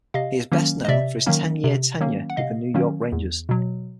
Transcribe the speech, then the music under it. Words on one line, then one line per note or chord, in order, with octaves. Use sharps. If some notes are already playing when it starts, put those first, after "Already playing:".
He is best known for his ten-year tenure with the New York Rangers.
C3 D#5 F5
D#3 F#3 A#3 C#4
D#5
C3 D5 E5
D#3 F#3 A#3 C#4
C3
D#3 F#3 A#3 C#4
F#5
C3 D#5 F5
D#3 F#3 A#3 C#4
E2
B2 F#3